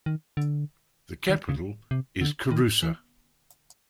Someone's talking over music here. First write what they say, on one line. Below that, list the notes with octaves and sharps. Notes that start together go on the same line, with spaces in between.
The capital is Kouroussa.
D#3
D3
D#3
C#3
C3
D3
D#3
E3